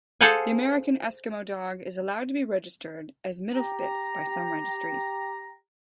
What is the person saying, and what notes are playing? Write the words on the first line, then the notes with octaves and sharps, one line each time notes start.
The American Eskimo Dog is allowed to be registered as Mittelspitz by some registries.
G#4 A4 C5 F5 F#5 G#5
G4 A#5